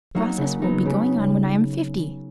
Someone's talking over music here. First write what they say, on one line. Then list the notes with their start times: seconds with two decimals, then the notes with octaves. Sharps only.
The process will be going on when I am fifty.
0.15 F#3 A#3 D#4 F#4
0.38 C#3
0.62 F#3 B3 D#4
0.85 C#3